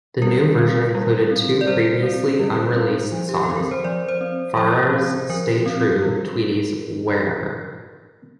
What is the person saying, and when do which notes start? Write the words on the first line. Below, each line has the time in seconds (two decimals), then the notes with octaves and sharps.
The new version included two previously unreleased songs: Farrar's "Stay True", Tweedy's "Wherever".
0.22 G3 A#4
0.58 C4
0.95 G3
1.31 C4
1.61 D5
1.67 G3 C5
2.03 C4
2.40 G3
2.76 C4
3.12 F3
3.29 G4
3.43 A4
3.49 C4
3.57 A#4
3.71 C5
3.84 F3 D5
4.08 C5
4.21 C4
4.57 F3 C5
4.93 C4
5.30 F3 A#4
5.66 C4
6.02 G3